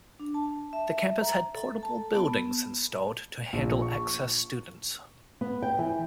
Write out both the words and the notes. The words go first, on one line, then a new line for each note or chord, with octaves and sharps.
The campus had portable buildings installed to handle excess students.
D4
A5
E5
A#5
A4
A5
B3
A#1
C#6
B3
G5
E3